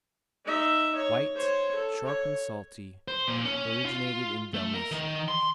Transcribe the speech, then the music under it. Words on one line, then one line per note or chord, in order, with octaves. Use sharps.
White; sharp and salty; originated in Dalmatia.
D#4 E5
C#5
C5 C#5
A4
C#5
C5
A#2
C#4
F4
A3
A#4
D#3
C6